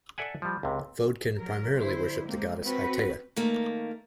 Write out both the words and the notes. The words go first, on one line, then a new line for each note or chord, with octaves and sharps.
Voadkyn primarily worship the goddess Hiatea.
A4 D5 E5 F#5 G#5
F3 G3
C#2 C3
F#3 A#4
D3 E4 C5
G#3 A#3 C4
C4 F#4 B4
D#3 A3 A#3